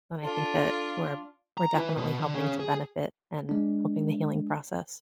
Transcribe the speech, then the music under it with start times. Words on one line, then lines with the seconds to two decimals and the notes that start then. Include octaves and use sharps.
then I think that we're we're definitely helping to benefit and helping the healing process.
0.23 D4 F4 A4 A5
1.58 A#5
1.75 E4 B4
1.97 B2
2.20 D3
2.35 C#4 G#4
2.60 G#4
3.49 G#3 D4